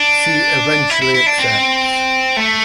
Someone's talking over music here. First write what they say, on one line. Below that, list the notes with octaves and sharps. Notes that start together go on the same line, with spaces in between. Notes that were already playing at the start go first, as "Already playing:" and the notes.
She eventually accepts.
Already playing: D4
E4
E4
E4
D4
C4
A3